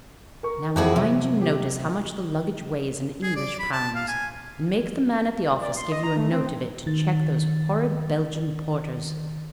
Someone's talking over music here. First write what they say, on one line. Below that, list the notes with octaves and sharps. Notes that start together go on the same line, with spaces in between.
Now, mind you notice how much the luggage weighs in English pounds, and make the man at the office give you a note of it to check those horrid Belgian porters.
A#4 C#6
F2 E4 F#4 G#4 D6
C3 F#3 E5
G4
G#4
D5
B5
A5
F5
G#5
D5
C6
D#5
A#5
A3
C4
D#3 A6